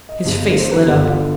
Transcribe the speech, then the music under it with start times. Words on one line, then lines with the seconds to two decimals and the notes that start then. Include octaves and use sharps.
His face lit up.
0.09 D#5
0.25 G1 G2 D3 G#3
0.56 C5
0.71 B4
0.87 G1 G2 D3 G4
1.03 F4